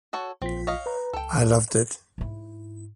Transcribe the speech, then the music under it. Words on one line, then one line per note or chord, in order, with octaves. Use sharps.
I loved it.
F#4 A4 C#5
A#1 C4 F4 B6
C#5 D#5 F5
B4 A#5
C#2 A4 G5
G#2 E4